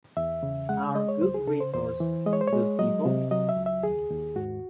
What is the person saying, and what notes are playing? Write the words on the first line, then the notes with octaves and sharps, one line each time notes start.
Are good rhetors good people?
E2 E5
C#3
G#3 F#5
G#3 D#5
C#5
C#2 C5
G#4
C#3 A4
C5
E2 C5
E3
G#3 D#5
C#5
C5
C#5
G#3
F#3 D#5
C3
F#3 D#5
E5
C#2
E5
D#2 G#4
D#2
G#2 F#4